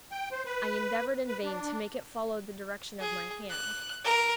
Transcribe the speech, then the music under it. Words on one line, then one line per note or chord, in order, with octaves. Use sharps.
I endeavored in vain to make it follow the direction of my hand.
G5
C5
B4
B4
D4
G#4
F#6
A#4